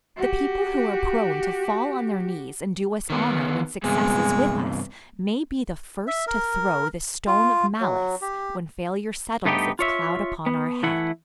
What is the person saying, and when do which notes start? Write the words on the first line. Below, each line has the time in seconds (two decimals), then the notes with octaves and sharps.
The people who are prone to fall on their knees and do us honor when success is with us may be the first to throw the stone of malice when failure settles its cloud upon our head.
0.17 F#4 G4
3.10 D#3 B3
3.84 G2 C3 G#3 B3
6.07 E5
6.27 A#4
7.27 F4
7.81 F#3
8.22 G4
9.45 G2 A3 B3 D#4 G4
9.79 F4 C#5 E5
10.46 B3
10.83 E3 A3 E4 F#5